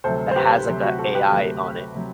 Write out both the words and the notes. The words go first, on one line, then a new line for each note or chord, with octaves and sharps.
that has, like, a AI on it
D2 C3 F#3 A4 C5
C5
G4 B4
D2 C3 F#3
F#4
F#4 A4
G4 B4
D2 C3 F#3
C3 F#3